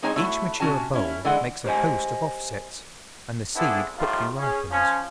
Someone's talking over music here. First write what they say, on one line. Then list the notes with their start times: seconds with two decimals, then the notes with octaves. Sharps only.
Each mature bulb makes a host of offsets, and the seed quickly ripens.
0.02 G#3 C4 D#4 G#4 C#5 G#5
0.16 A3 E4 F#4 C#5
0.60 C3 C#4 F#4 G#5 A5
0.93 C#4 E4
1.25 D3 E3 G#3 F#5
1.65 G4 A#4 C5 D#5 G#5
3.55 B3 C4 D4 E4 G#4 A4
3.98 A2 D#3 G3 F4
4.38 C#4 G#4
4.71 F3 C#4